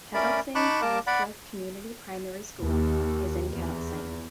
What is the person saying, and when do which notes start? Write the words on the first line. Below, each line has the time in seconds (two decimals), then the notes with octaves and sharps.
Kettlesing Felliscliffe Community Primary School is in Kettlesing.
0.14 A3 C#4 A#4 D5 B5
0.55 D#4 A5 B5 C#6 D6 F#6
0.82 A#3 A#4 A5 D6
1.07 D5 F#5 B5
2.60 D#2
3.52 E2